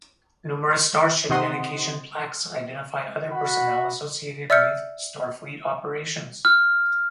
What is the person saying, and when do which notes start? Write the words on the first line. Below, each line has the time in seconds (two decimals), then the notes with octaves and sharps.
Numerous star ship dedication plaques identify other personnel associated with Starfleet Operations.
1.29 C3 D#3 D#5 F#5 C6 D#6
3.32 F#4 F#5 B5
4.50 D5 E5 E6 F6 G6 C#7
6.45 F6